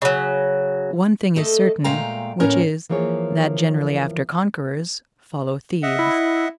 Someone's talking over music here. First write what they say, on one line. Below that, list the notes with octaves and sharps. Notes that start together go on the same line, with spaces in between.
One thing is certain, which is, that generally after conquerors follow thieves.
C#3 F#3
A3 A4 D#5
A#2 G#3 A3 F5 G5 A#5
D#2 A2 C#4 A#4
E3 F3 A#3 G#4 C#5
D#5 E5 F#5
E4